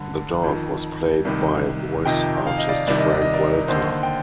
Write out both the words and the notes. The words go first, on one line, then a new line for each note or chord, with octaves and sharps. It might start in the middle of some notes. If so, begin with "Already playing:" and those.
The dog was played by voice artist Frank Welker.
Already playing: G2 D3
F2 D#3
C2 C3 D#3
F2 C3 D#3 D#5 G5
F5
D#5
D5 F5
C2 C3 D#3 D5
D#5
D5
D#5
A#4 D5
D#2 D3 C5 D#5
G5